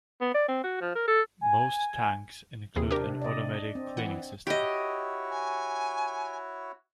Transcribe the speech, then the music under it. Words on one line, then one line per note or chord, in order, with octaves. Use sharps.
Most tanks include an automatic cleaning system.
B3
D5
C4
F#4
F3
A#4
A4
G#5
D#2 C3 E3 G#4
D4 G4 A#4
D5 D#5
C4
E3 F#5
E4 F#4 G4 C#5 D#5
G#5